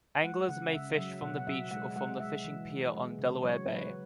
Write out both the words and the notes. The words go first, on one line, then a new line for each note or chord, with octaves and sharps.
Anglers may fish from the beach or from the fishing pier on Delaware Bay.
G#3 F#5
C#3 F#5
C#3 E5
F#3 E5
B2 F#5
F#5
F#3 E5
G#3 F#5
G#3 F#5
G#3 E5
E3
E3
G#3
C#3
F#3 C#5
F#3 B4